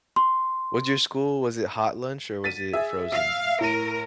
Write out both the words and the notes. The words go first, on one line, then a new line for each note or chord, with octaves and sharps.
Was your school, was it hot lunch or was it frozen?
C6
A6 B6 D#7
G#4 E5
E5 F5
A2 A#4 D#7